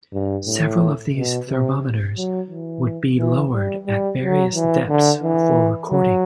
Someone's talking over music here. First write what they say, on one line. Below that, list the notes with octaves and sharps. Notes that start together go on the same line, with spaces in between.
Several of these thermometers would be lowered at various depths for recording.
G2
A2
B2
C3
F#3
E3
E3
G3
G3
F#3
E3
D3
E3
F#3